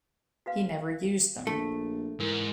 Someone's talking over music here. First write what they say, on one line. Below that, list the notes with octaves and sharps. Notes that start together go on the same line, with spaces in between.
He never used them.
F#4 B4 F5
A#1 A3
G#2 E3 A#4